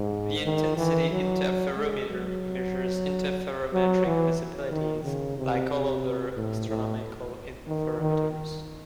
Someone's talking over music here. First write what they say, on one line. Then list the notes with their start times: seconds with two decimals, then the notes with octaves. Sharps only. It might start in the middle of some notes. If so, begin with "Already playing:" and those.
The intensity interferometer measures interferometric visibilities like all other astronomical interferometers.
Already playing: G#2
0.45 D#3
0.77 E3
1.11 F#3
1.76 G#3
2.09 F#3
3.73 F#3
4.06 E3
4.72 D#3
5.04 C#3
5.38 C3
5.70 C3
6.36 A2
6.69 A2
7.67 D#3
8.01 D#3